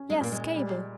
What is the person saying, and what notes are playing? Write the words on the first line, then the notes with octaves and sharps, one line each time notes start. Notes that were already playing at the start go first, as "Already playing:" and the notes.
'Yes, cable.
Already playing: C#4
G#3
A#2 A#3
G#3
G3